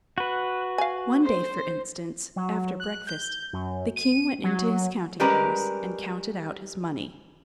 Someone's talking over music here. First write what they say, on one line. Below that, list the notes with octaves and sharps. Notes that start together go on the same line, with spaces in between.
One day, for instance, after breakfast, the king went into his counting-house, and counted out his money.
F#4 B4
F5 G#5
C5
F#3
F#6
G6
F#2
D#7
F#3
G3 G#3 C#4 A#4 B4 D5